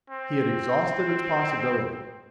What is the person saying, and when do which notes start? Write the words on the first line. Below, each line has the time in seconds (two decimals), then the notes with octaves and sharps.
He had exhausted its possibilities.
0.10 C4